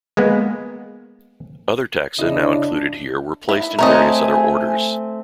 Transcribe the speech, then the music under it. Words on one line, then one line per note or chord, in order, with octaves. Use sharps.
Other taxa now included here were placed in various other orders.
G#3 A#3 B3
C#3 D4 E4 D#5
E4
A3 C4 A#4 C#5 D#5 G#5